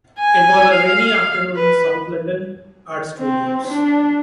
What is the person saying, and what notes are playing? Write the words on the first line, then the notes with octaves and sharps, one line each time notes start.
It was a rainy afternoon in South London, Art Studios.
G#5
F5
B4
C4
D4